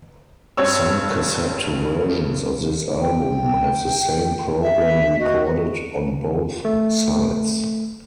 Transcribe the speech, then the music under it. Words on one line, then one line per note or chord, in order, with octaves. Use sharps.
Some cassette versions of this album have the same program recorded on both sides.
G2 C4 C#5 E6
G5
E5
F#4 D#5
A3